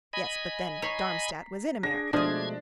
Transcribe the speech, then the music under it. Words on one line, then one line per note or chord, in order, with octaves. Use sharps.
Yes, but then, Darmstadt was in America.
D#5 G#5 B5
C#5 A#5 B6 C7
D4 G#4 A#6
B2 F3 G#3 A3 D4 G#4 G#6